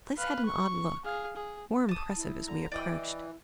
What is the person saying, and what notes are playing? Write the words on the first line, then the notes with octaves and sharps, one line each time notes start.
The place had an odd look, more impressive as we approached.
B4 F5
C#6
G#4 F5
G#4
A5 D#6
E4
D3 A#5
E3 E4 D5 D#5 G5